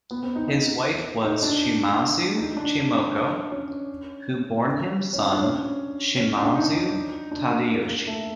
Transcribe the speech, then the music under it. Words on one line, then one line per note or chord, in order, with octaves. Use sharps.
His wife was Shimazu Chimoko who born him son Shimazu Tadayoshi.
B3
C4
D#4
D#4
D#4
D4
D#4
D4
C#4
C#4
C4
D4
C#4
C#4
D4
D#4
D4
A#3
A#3
A#3
A3